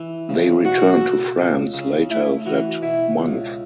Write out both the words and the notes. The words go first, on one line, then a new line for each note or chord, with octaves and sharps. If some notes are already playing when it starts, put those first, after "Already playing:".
They returned to France later that month.
Already playing: E3
C#3
B2 F#4
A4
C#2
C#3
A3 E4
E3 F#4
B2 E4
C#2